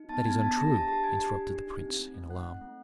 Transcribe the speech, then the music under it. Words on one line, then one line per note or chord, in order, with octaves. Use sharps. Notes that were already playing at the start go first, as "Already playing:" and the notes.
"That is untrue!" interrupted the prince, in alarm.
Already playing: D#4
B3 A5 A6
B3 G#5 G#6
D4 A5 A6
G4 A#5 A#6
D4 A5 A6
G4 A5 A6
D4 G#5 G#6
G4
D4
G4
D#4
C4
A3
A3
D#4 F#5 F#6
C4
A3